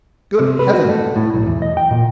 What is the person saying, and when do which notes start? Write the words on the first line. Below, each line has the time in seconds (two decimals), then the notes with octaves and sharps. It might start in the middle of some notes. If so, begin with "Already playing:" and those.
Good heavens!
0.39 C3
0.59 B4
0.74 F#4
0.89 A3
1.16 A2
1.34 B1
1.46 E2
1.62 D#5
1.77 G5
1.91 A#2